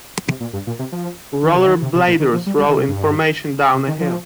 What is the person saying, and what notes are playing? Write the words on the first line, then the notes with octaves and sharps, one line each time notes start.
Rollerbladers roll in formation down a hill.
C3
A#2
G2
A#2
C3
F3
D#3
C3
D#3
C3
C3
A#2
D#3
F3
G3
G3
D#3
C3
G2
C3
D#3
F3